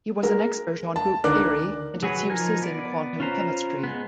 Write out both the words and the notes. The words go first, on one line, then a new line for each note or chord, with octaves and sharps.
He was an expert on group theory and its uses in quantum chemistry.
G#3 A#4
A5
D2 D#3 A#4 D5 D6 F#6
F#3 F#4 G#4 B4 C#5
F3 D#4 A#4 G#5
B3 D5
C#4 F4 B4 C5 A#5
G#3 B3